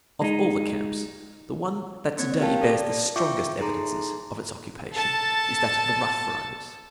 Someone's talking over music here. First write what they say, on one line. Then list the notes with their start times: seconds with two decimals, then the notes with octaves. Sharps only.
Of all the camps, the one that to-day bears the strongest evidences of its occupation is that of the Rough Riders.
0.21 G#3 D#4
2.17 A#3 C4 C#5 G#6
2.40 G4 A#4 F5 G5 A5
2.61 A4 D5
3.16 F4 E5 G5 C#6 D6
3.59 D#4 G#4 A4 A#5 C6
4.93 A4 A5